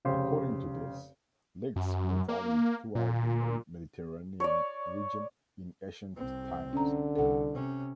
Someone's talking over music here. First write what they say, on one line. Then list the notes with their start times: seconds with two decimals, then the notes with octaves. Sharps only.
According to this, leeks were valued throughout the Mediterranean region in ancient times.
0.05 F1 C#3 G4 C5 C6
1.76 F#2
2.29 A#3
2.95 A#2
4.40 C#5 D5
6.15 C2 C4
6.73 D3 C#4 A#5
7.16 C2 A4 F#5
7.53 C3 C#4